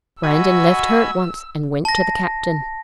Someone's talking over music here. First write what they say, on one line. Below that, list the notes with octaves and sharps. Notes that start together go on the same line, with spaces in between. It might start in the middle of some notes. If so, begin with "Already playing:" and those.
Brandon left her at once and went to the captain.
F#4 D#5 G#5 B5 E6
A5 A#6